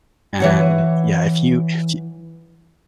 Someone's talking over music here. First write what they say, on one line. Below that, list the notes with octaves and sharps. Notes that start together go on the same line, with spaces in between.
and, yeah, if you y
E3 C#5 F#5